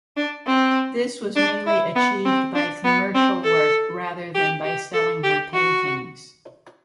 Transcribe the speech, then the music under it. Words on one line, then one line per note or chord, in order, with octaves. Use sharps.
This was mainly achieved by commercial work rather than by selling her paintings.
D4
C4
D4
E4
B3
C4
D4
B3
C4
A4
G4
G4
A4
G4
F#4